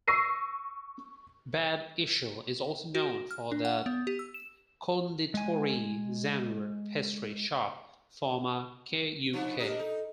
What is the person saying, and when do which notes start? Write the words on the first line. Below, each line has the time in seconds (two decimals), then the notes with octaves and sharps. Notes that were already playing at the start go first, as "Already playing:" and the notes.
Bad Ischl is also known for the "Konditorei Zauner" pastry shop, former k.u.k.
0.08 C#6 E6 A#6 C7 D#7
2.95 F#4
3.31 F6
3.51 D4
3.65 F#5
3.86 B3
4.07 G4
4.19 E6
4.34 E7
5.34 G#3 G#5
9.33 F3 B3 D4 D#4
9.59 D4 G4 A#4 D#5
9.79 D#4 A4